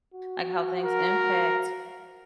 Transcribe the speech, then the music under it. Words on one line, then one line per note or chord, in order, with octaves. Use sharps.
like how things impact.
F#4
A#4